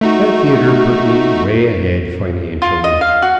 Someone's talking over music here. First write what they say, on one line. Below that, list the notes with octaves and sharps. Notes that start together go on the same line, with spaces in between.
That theatre put me way ahead financially.
A3 D#4 F#4
F4
D#5
F5
F#4